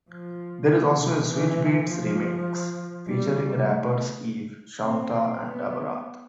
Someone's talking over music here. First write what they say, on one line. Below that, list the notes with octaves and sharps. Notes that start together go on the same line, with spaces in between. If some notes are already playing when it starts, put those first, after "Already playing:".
There is also a Swizz Beats remix featuring rappers Eve, Shaunta and Da Brat.
F3
E3
C3
E3
F3
G3
A3
C4
B3